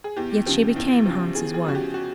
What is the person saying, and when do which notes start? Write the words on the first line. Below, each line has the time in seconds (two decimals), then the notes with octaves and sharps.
Yet she became Hans' wife.
0.04 G#4
0.17 E2 G4
0.46 C#3 F3 G4
0.76 E2
1.06 C#3 F3
1.35 E2 G#4
1.54 G#4
1.65 C#3 F3 F#4
1.75 G4
1.94 F#4